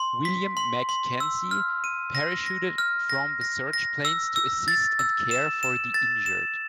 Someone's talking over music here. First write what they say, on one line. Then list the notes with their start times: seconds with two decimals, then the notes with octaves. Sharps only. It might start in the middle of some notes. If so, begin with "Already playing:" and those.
William MacKenzie, parachuted from the search planes to assist and care for the injured.
Already playing: C6
0.25 B6
0.57 C6
0.89 C6
1.20 E6
1.51 F6
1.84 D#7
2.15 A#6
2.46 A#6
2.78 F6
3.10 A#6
3.41 A#6
3.73 A#6
4.05 E6
4.36 E6
4.68 A6
4.99 E6
5.31 E7
5.63 E7
5.94 A6
6.26 E7